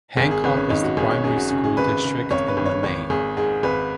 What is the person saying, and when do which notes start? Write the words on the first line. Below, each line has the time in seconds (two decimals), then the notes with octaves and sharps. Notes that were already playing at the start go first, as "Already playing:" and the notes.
Hancock is the primary school district in Lemay.
0.17 G#1 G#4
0.31 G#4
0.44 G#1 B4
0.57 C#4
0.70 G#1 D#4
0.83 F#4
0.97 G#1 G#4
1.10 C#5
1.23 F#2 G#4
1.37 F#4
1.50 C#3 G#4
1.64 G#4
1.77 G#1 B4
2.03 C#3
2.31 G#1 C#5
2.48 B4
2.57 G#1
2.65 C#5
2.83 G#1 C#5
3.10 G#1 G#4
3.37 G#2 G#4
3.63 G#1 B4